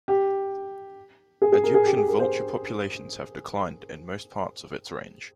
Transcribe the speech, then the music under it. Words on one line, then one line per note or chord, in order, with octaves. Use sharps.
Egyptian vulture populations have declined in most parts of its range.
G4
G#4
G#4
A#4
G#4
G4
G#4
A#4
C5